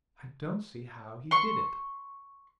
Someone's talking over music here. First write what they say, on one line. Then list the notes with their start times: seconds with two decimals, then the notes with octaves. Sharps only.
"I don't see how he did it."
1.31 C6 C#6